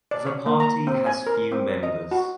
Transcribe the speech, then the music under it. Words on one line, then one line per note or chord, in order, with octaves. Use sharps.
The party has few members.
D5
C#5
A#3
A#5
C4
G#5
A#4
C4
D#5
F#4